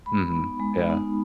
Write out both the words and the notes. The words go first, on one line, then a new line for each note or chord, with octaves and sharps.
Mhm. Yeah.
G#3 B5
B3 D#4
G#3
B3 D#4